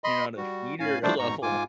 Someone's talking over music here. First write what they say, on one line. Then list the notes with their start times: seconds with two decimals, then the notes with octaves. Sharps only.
you're not a theater level.
0.04 D#5 B5 C6
0.37 G3 F#4
0.80 A2 C#4 F5 G#5
1.03 F3 G3 A3 D4 C5 D5
1.19 G#2 B2 A#5 C#6
1.42 G#2 F4 G#5 D6